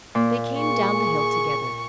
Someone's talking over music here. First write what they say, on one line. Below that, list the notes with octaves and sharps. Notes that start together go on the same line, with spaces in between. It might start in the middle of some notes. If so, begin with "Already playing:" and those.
They came down the hill together.
A#2
G#4 C#6